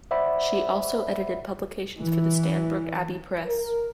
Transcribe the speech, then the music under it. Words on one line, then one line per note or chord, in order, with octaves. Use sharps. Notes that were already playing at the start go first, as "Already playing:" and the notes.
She also edited publications for the Stanbrook Abbey Press.
C5 D5 E5 F#5 B5
E3
A#4